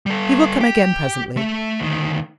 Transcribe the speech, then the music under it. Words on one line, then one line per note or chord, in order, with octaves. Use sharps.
He will come again presently.
G3 A4
G4
A3 E5
D2 D#3